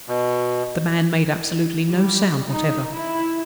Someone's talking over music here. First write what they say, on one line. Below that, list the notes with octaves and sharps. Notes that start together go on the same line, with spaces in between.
The man made absolutely no sound whatever.
B2
G3
D#4
E4